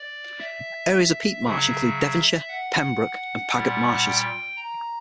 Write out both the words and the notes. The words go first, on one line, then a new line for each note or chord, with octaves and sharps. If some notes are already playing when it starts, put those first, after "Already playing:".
Areas of peat marsh include Devonshire, Pembroke, and Paget marshes.
Already playing: D5
E5
C#3 F#3 E5
F#5
A#2 G3
G5
A#5